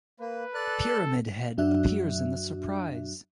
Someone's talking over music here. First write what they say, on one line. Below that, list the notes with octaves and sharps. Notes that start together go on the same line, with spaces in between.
Pyramid Head appears in the Surprise!
A#3 B4
A4 D5 F#6
F#2 F#3 D4 F#4 E5 F#6